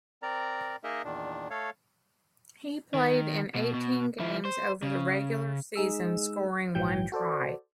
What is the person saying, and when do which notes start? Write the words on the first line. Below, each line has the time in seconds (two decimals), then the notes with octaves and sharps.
He played in eighteen games over the regular season, scoring one try.
0.22 C4 A#4 D5 A#5
0.84 A#3 D#4 G#4 A#4 D#5 E5
1.04 E2 A#2 D#3 D4
1.50 A3 A4 C#5 F5
2.94 D#3
3.55 B2
3.74 B2
4.20 F3 E4
4.45 C5
4.83 C#3
5.76 G#3 D#4 G#4 E6
6.75 A#1 G#2 E3 F#3 G5 G6
7.12 F#4 A4 C5 D5